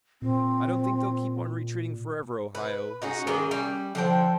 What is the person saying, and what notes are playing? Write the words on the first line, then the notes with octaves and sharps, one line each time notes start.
"I don't think they'll keep on retreating forever, Ohio," he said.
A#2 C4
B4
C#4 D#4 F#4 G#4
D#3 A#3 G#4
G3
D3 F3 C5 G5